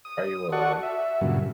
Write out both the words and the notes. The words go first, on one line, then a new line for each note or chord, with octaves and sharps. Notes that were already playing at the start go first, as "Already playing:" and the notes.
Are you alone?
D#6
F#4 A4 D5 F#5 C#6
E5
G2 A#2 C#3 F#3